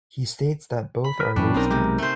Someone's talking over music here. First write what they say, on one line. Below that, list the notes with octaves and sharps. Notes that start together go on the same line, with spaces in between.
He states that both are race games.
B5
A#4 B4
F#2 A#2 E3 G3 C#4 D4
B1 C4 D#4 A#4
C3 G#3 G4
A3 C5